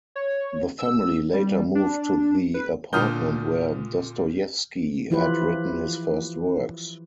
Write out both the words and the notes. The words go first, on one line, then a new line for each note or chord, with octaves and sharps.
The family later moved to the apartment where Dostoyevsky had written his first works.
C#5
E6
G3
D4
B4
A#2 D3 D#6 F6 G6 G7
E3 F3 E4 F4 G4 B4